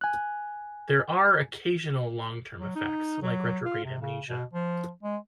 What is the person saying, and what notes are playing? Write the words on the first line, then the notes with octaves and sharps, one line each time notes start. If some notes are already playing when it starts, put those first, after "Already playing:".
There are occasional long-term effects, like retrograde amnesia.
G#5 F#6
F#3
D#4
F#3
F4
C3
C#3
B2
F3
G#3